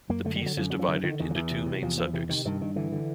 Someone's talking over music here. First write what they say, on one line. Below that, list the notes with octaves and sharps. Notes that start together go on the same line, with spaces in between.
The piece is divided into two main subjects.
F#2 A#3
D3 A3
G3
D3 F#3
F#2 F3
F#2 F#3
F3
D3 E3
D3 D#3
E2 D#3
F3
E2 E3
C3
C3
E2 F3
E2 F3
C3 E3
C3 D#3
G2 D#3
G2 D#3
D3 E3
D3